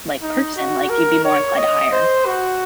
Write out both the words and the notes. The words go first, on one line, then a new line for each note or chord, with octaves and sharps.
like, person, like, you'd be more inclined to hire.
D#4
F#4
A#4
C#5
D#5
C5
F#4